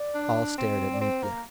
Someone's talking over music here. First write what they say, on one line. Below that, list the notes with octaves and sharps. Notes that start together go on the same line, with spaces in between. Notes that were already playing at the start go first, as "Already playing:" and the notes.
All stared at Mitya.
Already playing: D5
D4
C4
D5
C4 C5
A#3